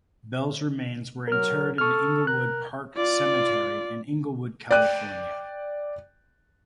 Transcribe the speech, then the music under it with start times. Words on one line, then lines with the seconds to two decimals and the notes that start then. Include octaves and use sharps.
Bell's remains were interred in the Inglewood Park Cemetery in Inglewood, California.
1.28 F#3 A#4 F6
1.78 A4 C#6 F6
2.27 A#4 F#6
2.97 F4 D5
4.71 D5 G5 F#6 D#7